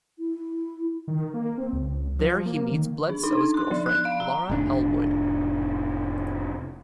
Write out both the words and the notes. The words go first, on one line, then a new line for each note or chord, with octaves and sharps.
There he meets Bledsoe's girlfriend, Laura Elwood.
E4
D#3
A#3
C4
C#2
F3
A#3
D#3
D4
D#4
C6
F3
F#6
F5
A#5
F1 A2 C3 D4